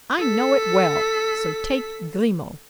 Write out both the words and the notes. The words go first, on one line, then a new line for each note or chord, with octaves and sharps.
"I know it well, so take Grimaud."
A4 B6